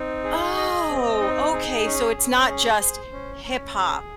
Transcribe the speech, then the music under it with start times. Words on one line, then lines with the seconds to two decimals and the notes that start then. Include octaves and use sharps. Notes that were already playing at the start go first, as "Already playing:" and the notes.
"Oh, okay." So it's not just hip hop
Already playing: C4 D#4
0.24 G#4
0.57 D#5
0.89 C4
1.20 D#4
1.53 G#4
1.85 C#4
2.17 C#4
2.49 G#4
2.81 C5
3.12 C#4
3.44 C#4
3.78 G#4